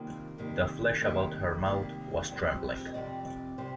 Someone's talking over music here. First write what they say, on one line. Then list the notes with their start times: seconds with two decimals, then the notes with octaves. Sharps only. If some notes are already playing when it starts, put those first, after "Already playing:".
The flesh about her mouth was trembling.
Already playing: C3 D#3 G3 A#3 F4
0.38 C3 D#3 G3 A#3
1.01 C3 D#3 G3 A#3 G4
1.65 C3 D#3 G3 A#3 D5
2.29 F2 C3 G3 C4
2.86 D#5
2.94 F2 C3 G3 C4 D5
3.26 D5
3.58 C3 G3 C4 C5